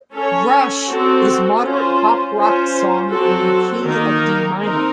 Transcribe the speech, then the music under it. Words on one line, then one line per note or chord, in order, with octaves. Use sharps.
"Rush" is moderate pop rock song in a key of D minor.
C#4 A4 C#5
C4 F#4 A4
C#4 F4 C5
C#4 F4 C5
F#3 C4 F#4 A4
D#3 A#3 D#4 A#4
C4 D#4 A#4